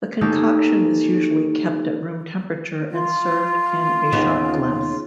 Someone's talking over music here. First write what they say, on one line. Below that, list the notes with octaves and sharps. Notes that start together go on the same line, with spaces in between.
The concoction is usually kept at room temperature and served in a shot glass.
A#3 C#4 D#4 G4 A4
F4
D#2 C#3 B3